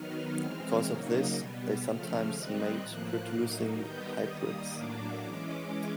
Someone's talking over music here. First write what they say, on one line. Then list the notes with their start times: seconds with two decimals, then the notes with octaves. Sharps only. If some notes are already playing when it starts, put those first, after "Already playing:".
Because of this they sometimes mate producing hybrids.
Already playing: D#3 F#3 B3 D#4 F6
0.39 E3 G#3 C4
0.88 C#3 F#3 A#3 D#4
1.36 B2 G3 B3
1.84 C#3 F3 A3 F6
2.32 D#3 G3 C4 D#4 F#6
2.81 A2 F3 A#3
3.29 A2 F#3 A#3 D#4
3.78 D#3 G3 B3 D#4 G6
4.26 D#3 G3 A#3 D#6
4.75 A2 F#3 A#3 D4 D6
5.23 E3 G#3 C#4 D6